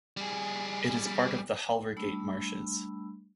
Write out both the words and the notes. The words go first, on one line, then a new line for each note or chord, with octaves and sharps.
It is part of the Halvergate Marshes.
G3 G#4
G3 A3 D4 B5 E6